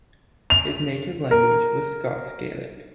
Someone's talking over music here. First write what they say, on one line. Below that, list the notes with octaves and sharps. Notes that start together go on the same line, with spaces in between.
His native language was Scots Gaelic.
F7
A#4